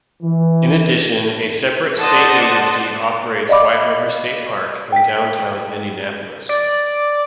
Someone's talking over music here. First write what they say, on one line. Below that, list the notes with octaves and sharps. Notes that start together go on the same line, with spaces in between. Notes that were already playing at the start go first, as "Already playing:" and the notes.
In addition, a separate state agency operates White River State Park in downtown Indianapolis.
E3
A4 C5 D5 D#5 F#5 A5
D5 D#5 F5 B5 D6
G5 B6
D5